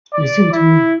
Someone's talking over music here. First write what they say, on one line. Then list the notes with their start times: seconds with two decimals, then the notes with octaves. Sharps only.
Listen to me!
0.13 D5
0.52 E4